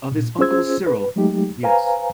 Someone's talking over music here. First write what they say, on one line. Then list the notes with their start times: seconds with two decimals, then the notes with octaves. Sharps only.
Of his Uncle Cyril, yes.
0.12 A#2
0.39 C#4 F4 G#4 C5 E6 G#6
0.87 B4
1.16 F#3 G#3 A3 D#4 G4
1.63 B4 C5 F5 G#5 A#5